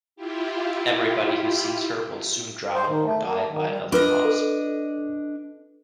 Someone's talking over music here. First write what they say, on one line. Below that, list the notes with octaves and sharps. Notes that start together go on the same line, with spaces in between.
Everybody who sees her will soon drown or die by another cause.
E4 F4 G4
C5
D#3
A3
A#3
A3
D#3
G3
D4 F4 B4 D#5
A4